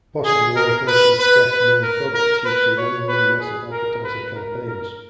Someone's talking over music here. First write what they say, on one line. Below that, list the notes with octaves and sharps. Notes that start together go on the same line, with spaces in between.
Possibly one of Hershey's best-known products due to long-running massive advertising campaigns.
G#4
A#4
B4
B4
B4
A#4
A#4
B4
C#5
B4
G#4
A#4
B4
A#4
A#4